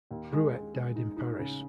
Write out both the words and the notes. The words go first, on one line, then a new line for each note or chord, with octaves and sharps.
Ruwet died in Paris.
D#2
G#3
G#3
G#3
D#4
D#4
C#3